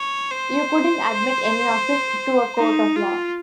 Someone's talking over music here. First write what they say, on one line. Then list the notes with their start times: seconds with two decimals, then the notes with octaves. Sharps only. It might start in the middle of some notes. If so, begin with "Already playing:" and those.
You couldn't admit any of it to a court of law.
Already playing: C#5
0.31 C5
2.58 D#4
2.96 F4